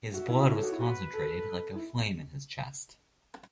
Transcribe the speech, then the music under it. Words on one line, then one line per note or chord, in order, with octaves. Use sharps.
His blood was concentrated like a flame in his chest.
F#4 E5
E4
F#4
E4 C#5
A4
F#4
E4
F#4 B4
A4
A4
E4